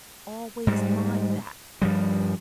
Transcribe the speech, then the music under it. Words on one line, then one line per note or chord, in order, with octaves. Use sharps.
Always mind that.
G#2 G3
G2 F3 G3